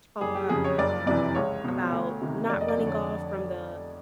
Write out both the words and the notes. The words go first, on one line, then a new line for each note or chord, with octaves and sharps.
talk, um, about not running off from the,
F#1 G#4
G4
F2 C#3 G#4
C#5
F#1 D5
F2 C3 E3 D5
C#2 C#5
B2
D2
C3 D#3
F1 D5
D#5
D5
F2 D3
C#5